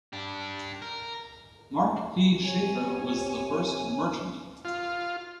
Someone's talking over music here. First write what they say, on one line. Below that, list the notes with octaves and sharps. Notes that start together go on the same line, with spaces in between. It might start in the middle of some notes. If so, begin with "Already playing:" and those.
Mark P. Sheffer was the first merchant.
D4 G4
A#4
C3 C#5 G#5
F4